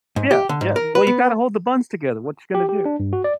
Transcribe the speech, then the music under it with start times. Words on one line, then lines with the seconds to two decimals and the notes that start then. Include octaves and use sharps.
Yeah. Yeah. Well, you gotta hold the buns together, what ya gonna do?
0.16 G#2
0.31 G4
0.49 D3
0.61 G#2
0.76 A#4
0.95 B4
1.07 B3
2.55 G4
2.69 G4
2.85 D4
3.00 G2
3.13 F#4
3.24 D5